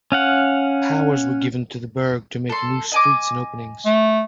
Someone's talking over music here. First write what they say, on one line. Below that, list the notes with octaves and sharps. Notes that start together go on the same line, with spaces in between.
Powers were given to the burgh to make new streets and openings.
C#4 F5 F#5
A4 C6
D#5 G#5 D6
A3